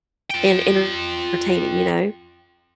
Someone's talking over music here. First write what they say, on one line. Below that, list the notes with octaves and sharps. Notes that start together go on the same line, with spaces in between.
and entertaining, you know?
F4 G5